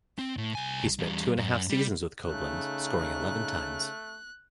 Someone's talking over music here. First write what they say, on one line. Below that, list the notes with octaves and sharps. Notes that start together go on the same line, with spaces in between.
He spent two and a half seasons with Koblenz, scoring eleven times.
C4
A2
C2 G#5
E2 G3
F#2
G3
C#3 A3 D#4 F#6